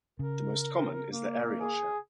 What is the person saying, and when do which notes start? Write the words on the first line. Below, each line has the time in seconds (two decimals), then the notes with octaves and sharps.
The most common is the aerial shell.
0.19 C#3 A#4
1.11 A#3
1.61 G#4